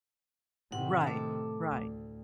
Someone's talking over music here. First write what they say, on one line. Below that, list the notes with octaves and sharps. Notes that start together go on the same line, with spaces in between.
Right. Right.
A2 C3 D#3 F#5
A3 A4 D6
D2